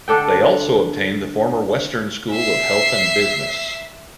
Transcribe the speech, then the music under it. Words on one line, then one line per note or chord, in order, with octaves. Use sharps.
They also obtained the former Western School of Health and Business.
D3 D4 A4 G5
E5 C7